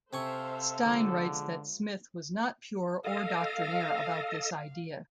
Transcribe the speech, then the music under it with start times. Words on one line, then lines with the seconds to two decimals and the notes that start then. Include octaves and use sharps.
Stein writes that Smith was not pure or doctrinaire about this idea.
0.13 C3 A4 C5 E5 F5 G#5 C#6
0.85 D3 F3 G#3 G#4
3.04 A4 D#5 F5